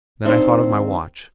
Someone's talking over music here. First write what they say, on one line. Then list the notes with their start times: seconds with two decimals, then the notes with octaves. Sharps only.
Then I thought of my watch.
0.25 D#2 D#3 C4 D4 C5 E5